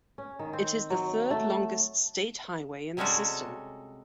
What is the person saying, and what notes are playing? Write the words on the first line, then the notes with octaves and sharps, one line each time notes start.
It is the third-longest state highway in the system.
C#4
D#3
C4
F#3
A3
C3 G3 G#3 C#4 F#4 A4